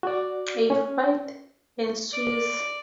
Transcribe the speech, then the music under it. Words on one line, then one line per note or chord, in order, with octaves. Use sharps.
A fight ensues.
F#4 D5
C#4
D5